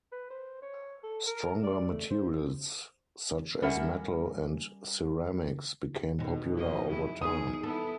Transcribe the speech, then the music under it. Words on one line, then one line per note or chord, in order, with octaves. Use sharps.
Stronger materials such as metal and ceramics became popular over time.
B4
C5
C#5
A4
A#4
D5
A3
C5
G3 C#4 A#4 E5 F#5
D#2 B2
F2 A#3 D#4 D#5
F#3 G#3 E4 G#4
E2 D#4 G#4 D#6
B3 E4 A4